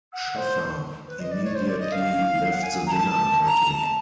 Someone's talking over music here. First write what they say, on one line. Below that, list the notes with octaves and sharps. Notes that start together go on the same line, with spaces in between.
Schaffer immediately left the dinner party.
F#5
C5
B4
D#5
D5
C#5
C5
D5
D#5
F5
F#5
G#5
A#5
A5
A#5
A#5
A5